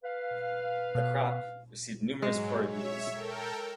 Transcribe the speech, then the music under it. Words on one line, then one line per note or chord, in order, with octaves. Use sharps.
"The Crop" received numerous poor reviews.
B4 F5
B2
G#2 F#3 G#3
C#5 E5
A4 A#4 G5